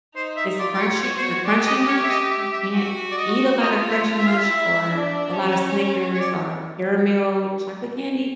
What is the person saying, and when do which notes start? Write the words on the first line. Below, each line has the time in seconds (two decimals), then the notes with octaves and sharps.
It's crunchy, the Crunch 'n Munch I can't eat a lotta Crunch 'n Munch or a lotta Snickers or caramel chocolate candy,
0.15 D#4 C5
0.37 E5
0.59 F4 D5
0.73 D5
0.80 C#5
1.02 F#4 C#5
1.17 C5
1.23 C#5
1.45 G4 D5
1.66 D#5
1.88 C#5
2.03 E5
2.10 D#5
2.31 E5
2.53 E5
2.74 F#4
3.11 D5
3.17 D#5
3.60 F4 D#5
3.89 E5
4.18 E5
4.27 F5
4.38 E5
4.46 E4
4.90 D4
5.33 C#4
6.14 C#5
6.20 D5